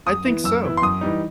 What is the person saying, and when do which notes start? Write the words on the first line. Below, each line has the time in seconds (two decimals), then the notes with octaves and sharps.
I think so.
0.06 F#2 D#6
0.25 E3 B3 E4
0.44 F#2 E6
0.63 E3 B3 E4
0.77 C6
0.82 F#2 D#6
1.01 E3 G3 D#4